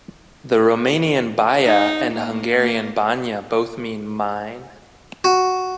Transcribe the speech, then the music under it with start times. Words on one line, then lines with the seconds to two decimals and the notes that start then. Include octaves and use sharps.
The Romanian "baia" and Hungarian "banya" both mean "mine".
1.64 D#4
2.11 A#3
2.57 A#3
5.24 F#4